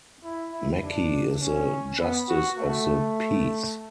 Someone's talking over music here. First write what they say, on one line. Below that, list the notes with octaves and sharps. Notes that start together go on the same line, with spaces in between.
Mackey is a Justice of the peace.
E4
E4
D4
C#4
B3
F#4
A3